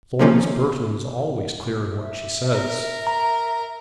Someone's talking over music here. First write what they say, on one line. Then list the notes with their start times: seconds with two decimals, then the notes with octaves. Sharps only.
"Florence Burton is always clear in what she says."
0.19 C3 D#3 F3 A#3 C#4 F4
2.02 E5
2.51 A#4
3.07 A#5